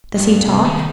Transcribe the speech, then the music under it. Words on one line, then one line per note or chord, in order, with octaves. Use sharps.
"Does he talk?"
G2
C3
D#3